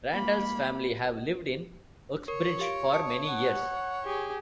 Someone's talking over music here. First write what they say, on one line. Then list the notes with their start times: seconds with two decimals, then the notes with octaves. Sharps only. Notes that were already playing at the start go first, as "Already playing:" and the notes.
Randall's family have lived in Uxbridge for many years.
0.12 A#3 B5
2.28 A#4 C#5
2.59 G4 F5 D7
2.93 A5 D#6 C#7
3.28 F#5
4.04 G4 G#4